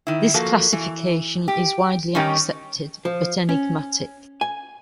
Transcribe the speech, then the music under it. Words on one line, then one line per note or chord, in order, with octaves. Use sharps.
This classification is widely accepted but enigmatic.
D#3 E4
F3 A#3 F#4 A4
E3
G4
D#3 G3 C#4 D#4 G4
F3
C#4
G#5